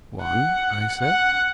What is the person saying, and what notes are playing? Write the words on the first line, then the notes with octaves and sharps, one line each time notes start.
"One," I said.
F#5
F#5